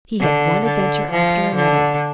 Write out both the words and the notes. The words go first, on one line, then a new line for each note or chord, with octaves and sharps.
He had one adventure after another.
D3
D3
F3
D3